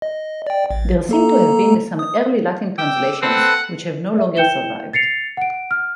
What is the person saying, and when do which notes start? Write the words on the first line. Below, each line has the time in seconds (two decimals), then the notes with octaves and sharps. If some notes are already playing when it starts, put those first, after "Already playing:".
There seem to have been some early Latin translations, which have no longer survived.
0.02 D#5
0.47 D5 G5
0.71 A1
1.09 A#3 A4 A#5
1.99 D#6
2.78 G5 D6 E6
3.22 C4 A4 B4 F#5
4.18 E5
4.37 E4 G5 G6 C#7 E7 G7
4.93 A6 C7 C#7 F7
5.37 F#5 D7
5.71 F6